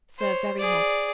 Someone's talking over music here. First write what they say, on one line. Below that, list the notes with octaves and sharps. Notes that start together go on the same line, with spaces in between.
Serve very hot.
C5 C#5
G#4 D5